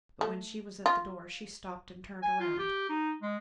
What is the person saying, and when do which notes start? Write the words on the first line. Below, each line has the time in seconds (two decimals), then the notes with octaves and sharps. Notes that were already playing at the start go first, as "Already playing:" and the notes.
But when she was at the door, she stopped and turned around.
0.21 A3
0.86 F4
2.22 G#5
2.40 F4
2.59 G4
2.89 D#4
3.22 G#3